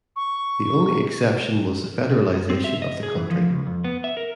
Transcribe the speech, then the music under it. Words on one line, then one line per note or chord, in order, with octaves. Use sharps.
The only exception was the federalization of the country.
C#6
C4
E5
D#5
G#4
E3
F3
C#2
F2
B3
E5
A#4